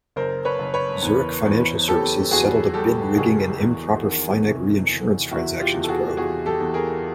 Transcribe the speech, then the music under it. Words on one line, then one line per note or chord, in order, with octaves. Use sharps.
Zurich Financial Services settled a bid-rigging and improper "finite reinsurance" transactions probe.
F#1 A#4 C5
B4 C#5
F#1
B4 C#5
E2
E2
E2 G4 A4
E2 F#4 G#4
G3 G4 A4
F#1 F#4 G#4
E2
D#3
C3
E2
E2 E4 F#4
F4 G4
E2
A4
F#4 G#4
E2 F#4 G#4
G4 A4
E2
G#4 A#4